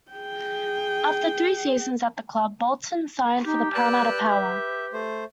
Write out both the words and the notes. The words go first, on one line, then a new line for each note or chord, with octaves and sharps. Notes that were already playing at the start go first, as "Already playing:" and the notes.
After three seasons at the club, Bolton signed for the Parramatta Power.
G#4 G5
D#4 G4
B4 D5 E6 F#6
E5
A3 C5